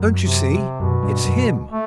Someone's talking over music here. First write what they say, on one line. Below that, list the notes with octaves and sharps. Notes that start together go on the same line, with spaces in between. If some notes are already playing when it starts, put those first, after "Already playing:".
"Don't you see? It's him!"
Already playing: F#2
C3
C3
F#2 B2
G2
F#2
A3